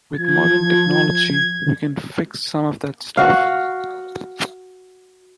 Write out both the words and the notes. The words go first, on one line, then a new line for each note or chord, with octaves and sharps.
With modern technology, we can fix some of that stuff.
F3 G#6
F#4 F5